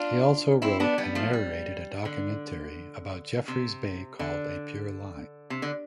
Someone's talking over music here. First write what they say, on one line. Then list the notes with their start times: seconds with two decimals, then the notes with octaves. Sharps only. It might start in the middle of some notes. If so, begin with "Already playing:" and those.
He also wrote and narrated a documentary about Jeffreys Bay called "A Pure Line".
Already playing: D4 F4
0.62 C4 E4
0.80 B3 D4
0.98 G3 B3
1.15 F3 A3
1.33 G3
2.05 D3
3.48 C3
4.19 D3
5.50 C3
5.62 D3